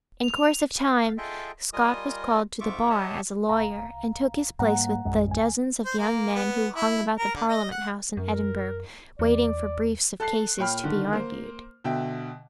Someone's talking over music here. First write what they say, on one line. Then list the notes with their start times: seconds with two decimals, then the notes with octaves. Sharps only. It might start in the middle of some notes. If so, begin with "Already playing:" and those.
In course of time Scott was called to the bar as a lawyer, and took his place with the dozens of young men who hung about the Parliament House in Edinburgh waiting for briefs of cases to be argued.
0.23 F7
0.78 F5
1.18 F4 G#4 A4 D#5 E5 G5
1.73 G3 F4 A#4 D#5 G#5 D#6
2.60 F2 G#2 F4 E5 C#6 D6
2.90 G4 C#5 D#5 E5 F#5 A5
3.49 C2 F5 A#5
4.59 G#2 G3 A#3 F#5 A#5
5.05 A#1 F#2 G#3
5.28 C#2 G#5
5.85 C5
5.98 A#3
6.35 B3
6.75 E4
7.18 A#4
7.35 D3
7.48 D#5
7.71 F#5
8.17 F#2 A#4
9.19 E2 D5
10.20 A4 A5 F#6 C7
10.59 A#2 C#5 G5 B5 F6
10.84 D3 D#3
11.13 A#3 C5
11.84 B2 D3 E5 G5